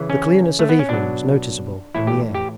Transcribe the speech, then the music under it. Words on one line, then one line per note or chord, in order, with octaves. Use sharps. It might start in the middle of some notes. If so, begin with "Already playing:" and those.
The clearness of evening was noticeable in the air.
Already playing: C#3 E3
C#4
A3
B3
C#4
B2 F#3 D4
A2 E3 E4
G4
G4